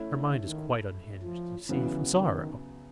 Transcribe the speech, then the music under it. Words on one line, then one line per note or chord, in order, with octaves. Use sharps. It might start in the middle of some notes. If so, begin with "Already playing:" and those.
Her mind is quite unhinged, you see... from sorrow.
Already playing: A3 C#4 E4
D3
D#3
F3
C#3 E3 F#3 B3 E4
D#3